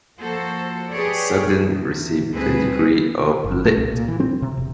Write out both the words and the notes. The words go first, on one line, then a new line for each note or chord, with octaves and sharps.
Sugden received the degree of Litt.
F3 A#3 F#4 A4 C5
G4 G#4 B4 C#5 D5
E2
D2 G3 C4 G#4 B4
G1
A3
C2
A#2
E3
C4
C3
E1